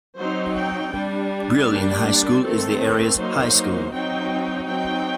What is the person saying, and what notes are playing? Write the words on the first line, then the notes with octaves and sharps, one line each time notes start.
Brillion High School is the area's high school.
F#3 C4 D#4 C5
G5
G3 D4
G3 A#3 D4 D5
D#3 A3 C4 A4
F#3 A#3 D#4 C5
F#3 C4 D#4 G5
F#3 C4 D#4 G5